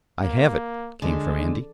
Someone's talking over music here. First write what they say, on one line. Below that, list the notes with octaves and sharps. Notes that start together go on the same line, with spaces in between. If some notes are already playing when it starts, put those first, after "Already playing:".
"I have it!" came from Andy.
A#3
D3 G#3